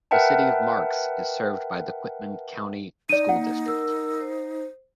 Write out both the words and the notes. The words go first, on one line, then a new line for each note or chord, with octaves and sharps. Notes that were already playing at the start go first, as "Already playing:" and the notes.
The City of Marks is served by the Quitman County School District.
A#4 B4 E5 F#5 G5 A5
D#4 D5 D#7
A#3 F#5
A#4 E6
C5